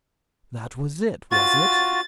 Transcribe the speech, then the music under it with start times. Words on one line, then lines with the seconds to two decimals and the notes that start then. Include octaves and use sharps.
That was it, was it?
1.31 F4 F#4 A6